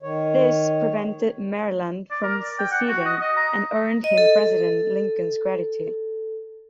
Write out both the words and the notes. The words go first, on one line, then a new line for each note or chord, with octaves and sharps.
This prevented Maryland from seceding, and earned him President Lincoln's gratitude.
D#3 C#5
D5
A#4
D5
G5
F#5
F#4
D#5
D#5
A#5
D#5
A4